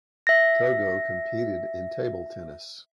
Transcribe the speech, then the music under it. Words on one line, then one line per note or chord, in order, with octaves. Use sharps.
Togo competed in table tennis.
E5 A#6